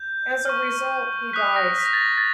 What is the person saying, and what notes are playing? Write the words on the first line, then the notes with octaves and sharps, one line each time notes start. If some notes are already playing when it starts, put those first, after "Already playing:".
As a result, he dies.
Already playing: G6
C#6 F6
D#6 F#6 B6
A#6
B6
A#6
A6
A#6
A6